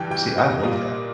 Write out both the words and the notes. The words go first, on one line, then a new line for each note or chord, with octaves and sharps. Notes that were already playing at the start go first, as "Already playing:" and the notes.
See, I love that.
Already playing: G2 E3 G3 G5
G5
D#5
A#2 G3 A#3 D#5